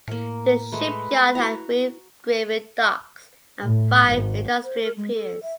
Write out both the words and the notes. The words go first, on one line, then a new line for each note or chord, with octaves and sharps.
The shipyard had three graving docks, and five industrial piers.
A2 A#3 A#4
G#3 A3 B4
E4 F#4 A#5
A2
G#1
C5
A#4
G#3
A4
E5